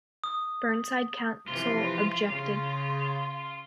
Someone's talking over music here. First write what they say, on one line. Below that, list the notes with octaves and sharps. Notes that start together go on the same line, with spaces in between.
Burnside Council objected.
D#6
C3 E3 F3 F4
C#3